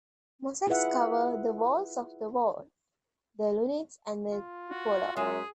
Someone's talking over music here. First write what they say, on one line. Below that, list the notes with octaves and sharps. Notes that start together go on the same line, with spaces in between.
Mosaics cover the walls of the vault, the lunettes and the cupola.
E4 F4 G#4 B4 E5 F#5
F4
F#4
F#2 F#3 G#3 G#4 E5